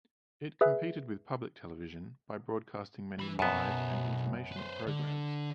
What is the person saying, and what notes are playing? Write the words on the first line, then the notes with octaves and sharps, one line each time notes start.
It competed with public television by broadcasting many live and informational programmes.
G#4 B4 E5
E3 B5
B1 F#2 B3 A5
B4 C5
D3 D4